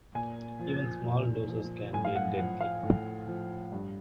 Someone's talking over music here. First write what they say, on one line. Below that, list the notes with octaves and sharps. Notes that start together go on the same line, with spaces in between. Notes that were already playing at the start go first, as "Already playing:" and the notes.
Even small doses can be deadly.
A#2 G#5
F3
A#2
F3
A2 G#5
F5
F#5
F3 F#5
F5
A2
F3
G2